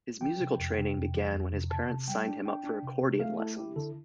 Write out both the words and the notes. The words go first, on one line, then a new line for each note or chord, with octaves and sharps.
His musical training began when his parents signed him up for accordion lessons.
F3 G5
C3
F2
C3
F2
F3
F2
C3
C3 A5
C3
G3 G5
D4
D4 G5
D4
C3
C3
A3 F5
E4 A4
E4 G4
D3 A4